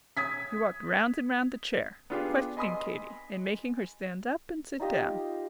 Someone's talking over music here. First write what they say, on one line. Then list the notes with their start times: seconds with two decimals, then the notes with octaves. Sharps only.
He walked round and round the chair, questioning Katy and making her stand up and sit down.
0.17 D#6 G#6 B6
2.10 B3 D4 F4 G4 G#4
2.57 D#5 G#5 B5 C6 D#6
4.80 D#4 F4 G4 D#5